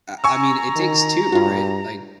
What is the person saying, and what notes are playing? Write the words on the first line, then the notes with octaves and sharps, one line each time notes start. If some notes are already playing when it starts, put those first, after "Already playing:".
I I mean, it takes two, right, like
G#5 A#5 C#6 E6
D#3
G2 F4 F#4